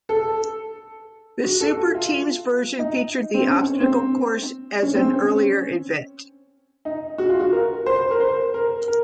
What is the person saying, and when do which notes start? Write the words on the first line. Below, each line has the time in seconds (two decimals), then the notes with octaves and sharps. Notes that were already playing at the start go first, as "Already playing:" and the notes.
The "Superteams" version featured the obstacle course as an earlier event.
0.09 A4
1.44 F#4
1.61 A4
1.77 F#4
1.95 F4
2.79 D#4
3.34 C4
3.47 C#4
3.80 C4
4.82 C#4
4.95 C4
5.08 C#4
6.85 D#4
7.18 F#4
7.30 F4
7.40 F#4
7.52 A#4
7.86 C5
8.11 A#4
8.20 C5
8.54 A#4
8.88 A#4